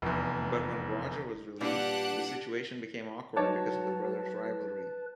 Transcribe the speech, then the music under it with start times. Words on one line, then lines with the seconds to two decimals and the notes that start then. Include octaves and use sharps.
But when Roger was released, the situation became awkward because of the brothers' rivalry.
0.02 F1 E2
1.60 A#2 G3 D4 G4 B4 F#5 F#6
3.37 F#3 D#4 B4 C#5 A5 D6